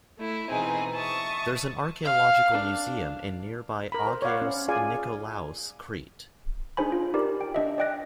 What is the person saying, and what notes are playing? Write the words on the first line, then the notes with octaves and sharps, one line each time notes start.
There's an Archaeological Museum in nearby Agios Nikolaos, Crete.
A3 E4
B2 E3 C4 D#4 G#4
E5 A5 C#6 D#6
F5
D4
A#4 B5
C5
C#5 D5 F5 F#5
C#4
F4 G#4 D5 F5 G#5
D4 D#4 G#4 C5 G#5 B5
F4
D#4 G4 A#4 D5
G5
D4 D#5 E5
D5 D#5 G5 F#6 A#6